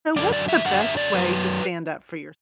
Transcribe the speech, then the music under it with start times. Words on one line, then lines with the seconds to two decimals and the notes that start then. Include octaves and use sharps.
So what's the best way to stand up for yours
0.16 F#2 D3 F#3 D5
0.33 D5
0.48 E5
0.65 F#2 D3 F#3 F#5
0.81 E5
0.97 D5
1.13 F#2 F#3 B4